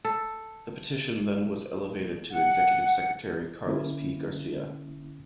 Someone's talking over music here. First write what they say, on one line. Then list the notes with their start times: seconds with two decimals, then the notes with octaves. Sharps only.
The petition then was elevated to Executive Secretary Carlos P. Garcia.
0.05 A4
2.31 F#5
3.65 D3 A#3 C#4 E4